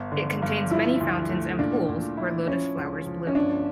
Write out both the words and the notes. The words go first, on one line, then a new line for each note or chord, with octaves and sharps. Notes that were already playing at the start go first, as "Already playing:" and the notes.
It contains many fountains and pools where lotus flowers bloom.
Already playing: G1
D3
G2
F3 E4
D2
A3
A#2 D4
A#2
E4
F3 C#4
C#2
F3
C#4
G1 D4